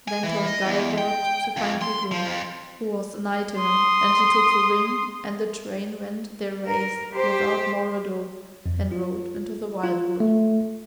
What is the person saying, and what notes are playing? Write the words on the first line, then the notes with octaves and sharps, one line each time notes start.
Then turned Geirbald to find Viglund who was anigh to him, and he took the ring, and the twain went their ways without more ado, and rode into the wild-wood.
G#5
E3
D#5
E2
G5
F2
C6
F3
F2
C6 D#6
A#4
G4 C5
F2
F4
F4
A3